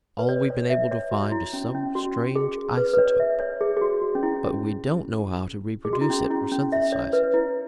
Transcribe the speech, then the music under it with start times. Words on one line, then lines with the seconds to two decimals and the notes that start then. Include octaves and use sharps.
All we've been able to find is some strange isotope but we don't know how to reproduce it or synthesize it.
0.19 B4
0.29 C#5
0.50 C#5
0.70 E5
0.91 C#5
1.11 F#4
1.32 E4
1.53 C#4
1.74 C#4
1.95 F#4
2.36 G#4
2.77 B4
2.94 B4
2.98 C#5
3.20 E5
3.40 C#5
3.61 G#4
3.77 G#4
3.81 F#4
4.02 F#4
4.15 C#4
4.23 E4
5.85 G#4
5.93 F#4
6.01 E4
6.10 C#4
6.26 C#4
6.30 E4
6.52 C#4
6.72 E5
6.92 C#5
7.13 B4
7.34 E4